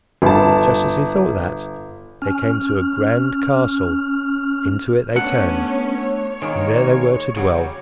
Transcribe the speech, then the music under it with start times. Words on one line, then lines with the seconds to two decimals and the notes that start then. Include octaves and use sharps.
But just as he thought that, they came to a grand castle; into it they turned, and there they were to dwell.
0.22 G1 A5
2.22 C#4 F6
5.16 A3 B3 C#4 D4 F#5
6.01 C#5
6.42 D#3 G#3 A#3
7.37 C#3 F#3 G3